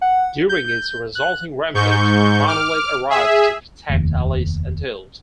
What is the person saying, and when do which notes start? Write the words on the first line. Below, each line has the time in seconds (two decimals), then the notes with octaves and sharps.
During its resulting rampage The Monolith arrives to protect Alice and Tilt.
0.01 F#5
0.49 G6
1.15 F#6
1.74 G#2 C#6 G6
2.47 D6 F6
3.10 G#4 E5
3.89 F1 D#2